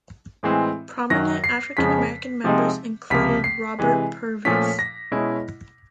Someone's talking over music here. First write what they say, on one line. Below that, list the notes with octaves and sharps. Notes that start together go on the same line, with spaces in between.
Prominent African-American members included Robert Purvis.
A2 E3 G#3 C4
F#2 D#3 F#3 A#6
C7
F2 C#3 F3 G#3 B6
C3 F3 G#3 C4 D#4
C#2 C3 F3 A#3 B6
C7
C3 E3 G#3
A#2 F3 A3 C#4 B6
A#6
B2 G#3 C#4 E4